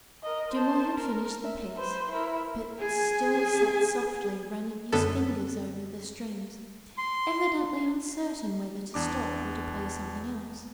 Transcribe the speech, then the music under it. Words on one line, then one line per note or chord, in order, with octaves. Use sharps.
Dimmler had finished the piece but still sat softly running his fingers over the strings, evidently uncertain whether to stop or to play something else.
A#4 D#5
C5 A5
A#4
E5
B4 C5
E4 A#4
G#4 G#5
F#2 D3 B3 A4
C6
E2 D4 D6